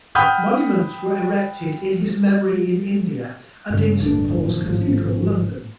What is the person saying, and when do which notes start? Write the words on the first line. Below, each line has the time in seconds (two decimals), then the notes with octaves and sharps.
Monuments were erected in his memory in India and in Saint Paul's Cathedral, London.
0.15 F#5 G5 B5 D#6 F6 G6
3.70 G2 C#3
4.02 D1 G2 A3 D4
4.43 F#2 A#2 D#3 F3
4.65 G#1 A2 F3